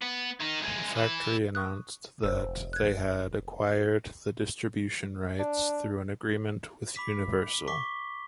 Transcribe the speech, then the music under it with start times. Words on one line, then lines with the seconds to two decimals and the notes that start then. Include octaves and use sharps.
Factory announced that they had acquired the distribution rights through an agreement with Universal.
0.01 B3
0.40 D#3 D#4
0.60 C2 G#3
0.96 E3 E4
1.55 C#6 D#6 F#6
2.24 F1 C5 E6
2.73 F#6 G#6
5.39 D4
6.96 B5 D6 B6
7.68 C#6 D6 B6 G7